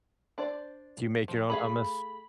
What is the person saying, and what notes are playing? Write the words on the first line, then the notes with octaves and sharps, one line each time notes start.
Do you make your own hummus?
D4 C5 D5
F3
A3 G#4 F5 B5